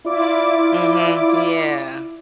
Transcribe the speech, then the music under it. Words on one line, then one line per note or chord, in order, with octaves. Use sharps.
Mhm, yeah.
E4 F4 D5 D6